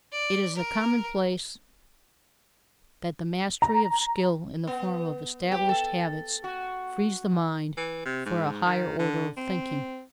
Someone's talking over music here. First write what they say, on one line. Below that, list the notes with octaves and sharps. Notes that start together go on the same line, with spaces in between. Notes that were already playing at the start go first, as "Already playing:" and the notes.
It is a commonplace that the mastery of skill in the form of established habits frees the mind for a higher order of thinking.
D5
A#4
A#5
B3
G4
A4
F#4
E3
C3
G#2
D#3
D3
C4